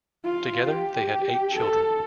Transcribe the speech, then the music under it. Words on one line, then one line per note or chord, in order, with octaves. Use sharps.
Together they had eight children.
F4
G4
A4